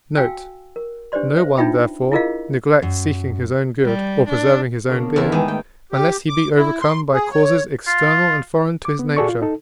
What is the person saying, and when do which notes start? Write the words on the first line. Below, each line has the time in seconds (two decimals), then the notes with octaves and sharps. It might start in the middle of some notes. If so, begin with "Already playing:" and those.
Note.--No one, therefore, neglects seeking his own good, or preserving his own being, unless he be overcome by causes external and foreign to his nature.
0.16 F#4 F5 G5 G#5 E6
0.76 A#4
1.12 D4 G4 B4 C5 D5 C6
1.37 B4 C5 E5
1.57 D4 D#4 F4 E5 G5 B5
2.12 E4 F4 G#4 A#4 D#5 F5
2.82 F#2
3.85 G3
4.29 D4
4.89 C#3 D4 A#4
5.02 B3
5.16 E2 E4 G4 A#4
5.32 G#2 D#3 G#3 D#4 G4 B4 G#5
5.48 A3 G5
5.92 G4
6.29 D6
6.56 E4
6.81 C6
7.13 G#4
7.30 C#5
7.87 F4
8.85 D6
8.99 B3
9.17 A#2 F#4 G#4 A4 D5 C#6
9.28 F4
9.42 D#4 A4